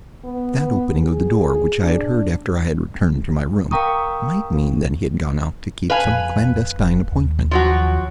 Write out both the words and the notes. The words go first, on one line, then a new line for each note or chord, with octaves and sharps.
That opening of the door which I had heard after I had returned to my room might mean that he had gone out to keep some clandestine appointment.
B3
B3
G#4
D4
A#4 F5 G5 A#5 C#6 D#6
B4 F5 G#5
F2
F1
D#2
F3 F#3 F#4